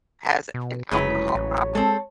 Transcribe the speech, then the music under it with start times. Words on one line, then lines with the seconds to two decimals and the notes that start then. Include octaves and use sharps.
has an alcohol problem,
0.54 B2
0.92 F1 C#3 F#3 G#3 E4 B4 C#5
1.35 A1
1.75 G#3 C4 A4